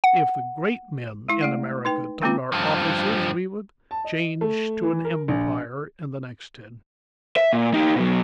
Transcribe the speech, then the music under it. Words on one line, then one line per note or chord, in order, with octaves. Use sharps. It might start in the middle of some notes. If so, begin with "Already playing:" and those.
If the great men in America took our offices, we would change to an empire in the next ten years.
F#5
G#3 E4
A3 D5 F#5
D#4 B4 G5
D#3 G#3 A#3 C4 C#4 F4
G2 F3
A5
D#5
A3
E3
A#4
A#1
E5
A#2
D#4 G4
B2 F#3